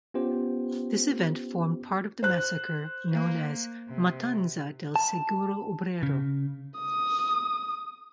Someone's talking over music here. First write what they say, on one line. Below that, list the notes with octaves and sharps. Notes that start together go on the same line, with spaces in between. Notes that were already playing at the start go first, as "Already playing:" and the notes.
This event formed part of the massacre known as "Matanza del Seguro Obrero".
B3 C#4 F4 G4 C5
C5 F#6
A#3
C3
A5
C#3
D#6